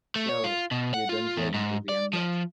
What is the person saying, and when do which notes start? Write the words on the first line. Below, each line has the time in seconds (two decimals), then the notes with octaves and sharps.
Surely you don't claim to be unloved!
0.16 A3
0.29 C#5
0.44 F4
0.71 B2
0.94 F#5
1.09 F4
1.37 E2
1.54 G#2
1.89 D5
2.13 F3